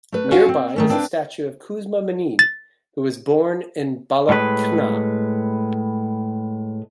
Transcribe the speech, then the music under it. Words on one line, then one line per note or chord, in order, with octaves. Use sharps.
Nearby is a statue of Kuzma Minin, who was born in Balakhna.
A3 B4
C#4 F4 F#4 F5 F#5 G#5
C4
D#3 A3 C#4
C4 D4 B4 F5
A6
A2 G#3 B4